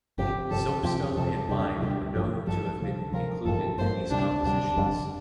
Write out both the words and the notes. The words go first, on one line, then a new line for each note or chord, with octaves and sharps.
Soapstone and lime were known to have been included in these compositions.
G1 F2 C3 G4
G1 F2 C3 A4
F2 C3 F3 C4 G4
F2 C3 F3 C4 A4
D2 C3 G3 D4 G4
D2 C3 G3 D4 G4
A1 G2 F3 G4
A1 G2 F3 A4
D2 C3 F3
D2 C3 F3 A#4
A1 G2 F3 A#3 A4
A1 G2 F3 A#3 C5
D2 C3 G3 D4
D2 C3 G3 D4
G1 F2 D3 G3